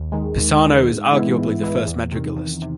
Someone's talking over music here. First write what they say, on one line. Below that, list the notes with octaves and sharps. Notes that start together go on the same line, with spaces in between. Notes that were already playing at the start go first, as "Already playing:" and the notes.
Pisano is arguably the first madrigalist.
Already playing: D#2
D#3 G#3
D#2
D#3 G#3
G#2
E3 G#3 B3 E4
G#2
E3 G#3 B3 E4
E2
C3 D#3
E2
C3